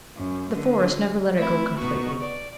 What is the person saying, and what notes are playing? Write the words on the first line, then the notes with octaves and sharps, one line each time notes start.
The Forest never let her go completely.
F#2
D3
A3 C4 E4
B2 B3 D#4 F#4 C#6
D5